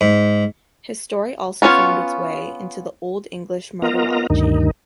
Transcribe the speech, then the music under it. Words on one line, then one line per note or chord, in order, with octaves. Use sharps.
His story also found its way into the Old English Martyrology.
G#2
B3 C#4 F4 C#5
B3 F4 A#4 D#5 A#5
D2 G2 D#3 D#4